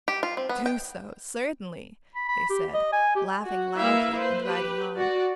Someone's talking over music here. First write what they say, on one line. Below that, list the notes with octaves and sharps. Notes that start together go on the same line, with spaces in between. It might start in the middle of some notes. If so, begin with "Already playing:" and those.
'Do so, certainly!' they said, laughing loudly and riding on.
G4
F4
C4
B3
G5
B5
B5
G4
D#5
G#5
G4
F#4
A#3 E4 B4 E5 F5
B4 C5
G4 B4
F#4 D5